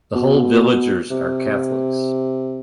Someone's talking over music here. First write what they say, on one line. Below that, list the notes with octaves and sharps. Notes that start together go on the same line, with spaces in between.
The whole villagers are Catholics.
B2
C3